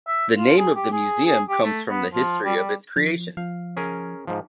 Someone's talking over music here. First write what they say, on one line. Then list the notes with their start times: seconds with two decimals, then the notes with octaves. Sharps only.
The name of the museum comes from the history of its creation.
0.07 E5
0.35 F4
0.58 G#4
0.75 G4
0.92 G#4
1.25 G#4
1.49 G4
1.64 A3
1.89 B3
2.13 F3
2.45 G3
2.56 G3
2.96 F3
3.37 F3 F5
3.77 C#4 G#4 A#4
4.27 G#2 F3